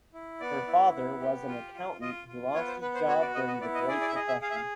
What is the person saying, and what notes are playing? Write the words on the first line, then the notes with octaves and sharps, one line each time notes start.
Her father was an accountant who lost his job during the Great Depression.
E4
B3 D5
E4
B3
G4
F4
F4
F4 D#5
F4
B3 C#5
C5
B3 B4
C5
F#4 C#5
D5
B3 D#5
D#5
E4 D5
D#5
G#4 D5
D5
E5
G#4 D#5
E5
G#4 F5
E5
F5